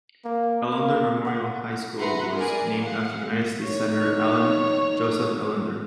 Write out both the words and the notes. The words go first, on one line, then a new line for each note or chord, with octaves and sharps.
Ellender Memorial High School was named after United States Senator Allen Joseph Ellender.
A#3
A#3
F#5
B4 E5 F#5 A#5 C6
G#4 A#4 D5 G#5
F5 F#5
D#4 C#5